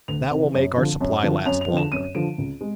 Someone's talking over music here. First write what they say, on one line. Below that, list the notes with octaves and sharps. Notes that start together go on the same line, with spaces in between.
That will make our supply last longer.
D2 F7
C3 E3
F#2
D3 F3
F#2
D3 F3
F#2 F7
F7
F3
D3 E7
F#2 D#7
D3 F3 D7
C#2
G#3